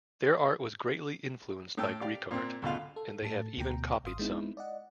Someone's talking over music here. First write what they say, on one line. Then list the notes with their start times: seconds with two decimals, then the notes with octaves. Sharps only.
Their art was greatly influenced by Greek art, and they have even copied some.
1.77 A2 G5 A5 E6
2.01 G4 D5 F5
2.31 A#2 C4
2.62 D2 B2 F4 F5
2.96 A4
3.22 A2 A4 A5
3.57 D2 B2 G5 A#5
4.04 G#1 F5 C6 D#6
4.19 G#3 B3 C4 D#4 E4
4.57 D5 D#5 F#5